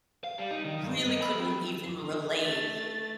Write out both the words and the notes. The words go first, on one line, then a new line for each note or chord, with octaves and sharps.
really couldn't even relate.
F5
G3
D#4
D#3
G2
D#5
B5
C4
A3 A6